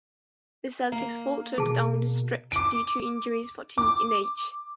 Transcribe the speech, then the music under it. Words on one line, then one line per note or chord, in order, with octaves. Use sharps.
The Celtics faltered down the stretch due to injuries, fatigue and age.
A#3
B2 G#4 A5
D6 D7
D6